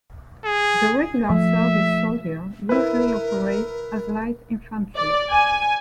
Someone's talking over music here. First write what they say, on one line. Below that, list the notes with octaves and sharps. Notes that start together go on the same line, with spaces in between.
The regular-service soldiers usually operate as light infantry.
G#4
F3 A3 E5
E4 A#4 B4
D5
G#5